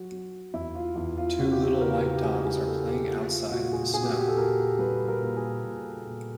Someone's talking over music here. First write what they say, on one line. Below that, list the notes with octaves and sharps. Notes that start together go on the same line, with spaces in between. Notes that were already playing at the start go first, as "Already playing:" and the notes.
Two little white dogs are playing outside in the snow.
Already playing: F#3 F#4
F#3
E2 E4
F4
E2 F4
F4
C#3 F#4
G4
F#4
B4
C#3 A#4
G4
C#3 G#4
G#4
A#3 A4
G4
A#3 F4
F4
F4
A#2 F#4
G#4
A#2 G#4
G4
F#4
G4
A4
A#2 A#4
G3 B4
A#4
A#2
G#4
A#2
A#2